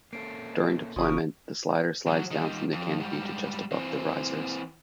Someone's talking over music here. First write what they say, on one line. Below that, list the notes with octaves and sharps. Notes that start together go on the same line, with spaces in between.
During deployment, the slider slides down from the canopy to just above the risers.
A#3 C#4 A4 C7 D7
F#1 C#3 F4 A#4 C#6 D#6
D2 F#3
D#3 G3
F2
G#2 G3
E3 C4